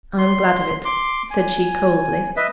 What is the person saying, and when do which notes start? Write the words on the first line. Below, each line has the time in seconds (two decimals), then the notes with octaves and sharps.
'I am glad of it,' said she, coldly.
0.18 C6
0.85 C6 D6
1.31 G#5
2.36 B4 D#5 E5